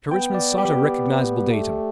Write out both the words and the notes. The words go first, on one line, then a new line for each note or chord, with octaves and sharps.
Sir Richmond sought a recognizable datum.
B3 G5
D5
G4
A3